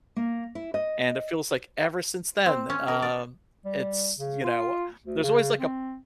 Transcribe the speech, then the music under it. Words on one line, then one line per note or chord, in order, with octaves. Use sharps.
And it feels like ever since then, um, it's, you know there's always like a
A#3
E4
D#5
C4
C#4
A#4
D5
G3
C#3
F4
D2
C#3
C4